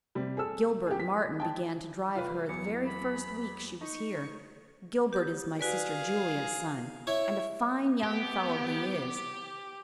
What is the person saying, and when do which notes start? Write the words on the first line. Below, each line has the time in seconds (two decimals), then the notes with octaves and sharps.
Gilbert Martin began to drive her the very first week she was here. Gilbert is my sister Julia's son, and a fine young fellow he is.
0.15 C3 G3
0.37 G#4 A4 E6
0.87 G4 G#4
1.00 B6
1.40 G5 A5
2.16 C2 A3 F4 B4
2.49 E2 F#3 C#7
2.85 B5
3.81 D#4 C#6
5.13 G4 D#6
5.59 F#4 G#4 B4 D5 F5
7.07 E4 C#5
8.03 B3 G4